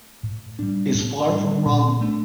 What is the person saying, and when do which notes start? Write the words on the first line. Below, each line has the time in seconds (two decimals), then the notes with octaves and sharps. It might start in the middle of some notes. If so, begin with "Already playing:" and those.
Is far from wrong!
0.23 A2
0.59 G3 D4
0.94 A2
1.30 G3 D4
1.65 A#2
2.01 A3 D4